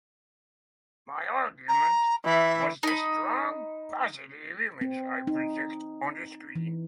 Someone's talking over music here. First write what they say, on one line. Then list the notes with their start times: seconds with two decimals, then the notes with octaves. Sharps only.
My argument was the strong, positive image I project on the screen.
1.68 A#5
2.25 E3 E5
2.83 D#4 B5
4.81 C4
5.27 D#4
6.55 E3